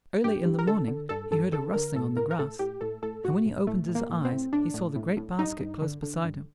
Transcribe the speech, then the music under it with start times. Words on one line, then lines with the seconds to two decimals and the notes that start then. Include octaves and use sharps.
Early in the morning he heard a rustling on the grass, and when he opened his eyes he saw the great basket close beside him.
0.24 G2 G4
0.45 G2
0.59 A#4
0.67 D3 A4
0.88 D3
1.09 G2 A4
1.31 G2 A4
1.52 D3 A4
1.74 D3 A#4
1.96 A2 A4
2.16 A2 A#4
2.31 A#4
2.39 A2 A4
2.59 A2 G4
2.81 A2 A4
3.02 A2 A4
3.24 A2 F#4
3.46 A2
3.67 A2 A3
3.89 A2
3.95 A#3
4.09 A2
4.25 C4
4.32 A2
4.52 A2 D4
4.74 A2
4.96 A2
5.17 A2
5.39 G2 D#4
5.59 G2
5.82 D3
6.03 D3
6.24 G2